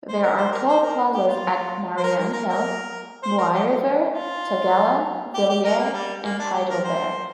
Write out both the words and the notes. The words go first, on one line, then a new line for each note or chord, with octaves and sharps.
There are toll plazas at Marianhill, Mooiriver, Tugela, Villiers and Heidelberg.
C5
A#4
C5
A#4
C5
A#4
G4
F4
C5
A#4
A#4
A#4
A#4
C5
A#4
G4
F4
G4
G4
A#4
A#3
G3
A#3
D4
G4
A#4
C5